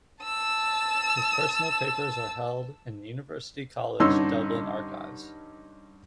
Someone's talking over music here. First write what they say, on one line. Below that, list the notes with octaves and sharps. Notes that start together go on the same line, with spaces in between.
His personal papers are held in University College Dublin Archives.
A5 E6
G2 D3 C#4 D#4 C6 E6